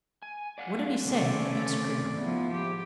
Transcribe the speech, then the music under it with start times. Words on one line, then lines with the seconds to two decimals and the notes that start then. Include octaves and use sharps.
"What did he say?" asked Graham.
0.22 G#5
0.58 D5 F5 F#5
1.05 C3 D#3 A3 C4 C#4 D5
2.17 G#2 F3 B3 E4
2.53 G4